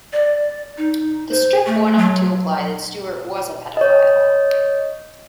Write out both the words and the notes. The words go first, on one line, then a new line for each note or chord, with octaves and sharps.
The strip went on to imply that Stewart was a pedophile.
D5
D#4
C5
A3
F#3
C#5 D#5